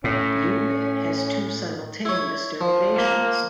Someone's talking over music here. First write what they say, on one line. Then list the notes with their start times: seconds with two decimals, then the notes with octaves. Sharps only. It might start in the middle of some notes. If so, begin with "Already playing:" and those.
"Lyube" has two simultaneous derivations.
0.04 A2 C#4
2.05 E4 C#5
2.61 F3
2.95 A#3